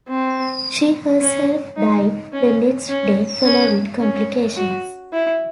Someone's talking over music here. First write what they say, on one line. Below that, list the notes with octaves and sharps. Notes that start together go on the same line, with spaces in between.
She herself died the next day following complications.
C4
C#4
D#4
C#4
C#4
C#4
C#4
F#4
E4